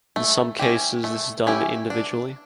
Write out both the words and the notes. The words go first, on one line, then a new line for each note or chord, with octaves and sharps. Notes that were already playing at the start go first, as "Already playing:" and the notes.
In some cases this is done individually.
A3
C#4 E4 G4
A3
C#4 E4 G4
D4